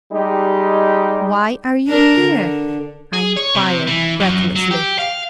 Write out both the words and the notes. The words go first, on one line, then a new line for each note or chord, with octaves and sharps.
"Why are you here?" I inquired breathlessly.
G3 G#3 D#4 G4
D4 A#4
D3
G#4
C#5
C3
E3
F#2
F#3
G4
F5